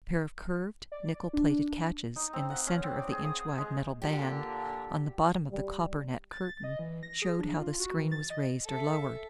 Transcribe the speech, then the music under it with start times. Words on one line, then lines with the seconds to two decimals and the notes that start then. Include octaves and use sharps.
A pair of curved, nickel-plated catches in the center of the inch-wide metal band on the bottom of the coppernet curtain showed how the screen was raised or lowered.
0.92 D5
1.33 D4
2.16 D#4
2.33 C4
2.50 F#5
2.67 C#4
2.83 C4
2.98 D5
3.12 G#4
3.24 D#6
3.58 G#3
4.02 A#2 D3 G4
5.51 G3
6.32 A6
6.44 A6
6.64 D#5
6.79 E3
7.03 A#6
7.22 G#4
7.39 D4
7.58 F4
7.80 F#4
7.97 E3
8.12 A6
8.30 D#5
8.65 A4 E5